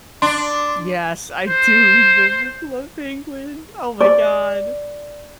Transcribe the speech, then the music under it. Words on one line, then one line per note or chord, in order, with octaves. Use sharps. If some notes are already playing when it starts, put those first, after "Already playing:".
Yes, I do remember Club Penguin, oh, my god.
D4 C6
C5
D5